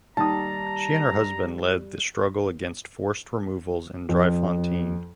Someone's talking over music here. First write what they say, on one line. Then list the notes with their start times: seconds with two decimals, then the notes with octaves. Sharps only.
She and her husband led the struggle against forced removals in Driefontein.
0.17 D#2 D#3 G3 A5 A#5 D#6
4.09 F2